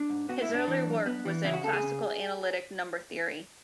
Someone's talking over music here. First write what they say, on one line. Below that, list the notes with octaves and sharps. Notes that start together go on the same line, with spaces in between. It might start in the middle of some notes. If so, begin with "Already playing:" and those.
His early work was in classical analytic number theory.
Already playing: D4
G#2
B3 F#4
E4
G#2
D4
E3
F#2
B3
E3
C#3 E4
F#4
C#3 A4
G#4
C#3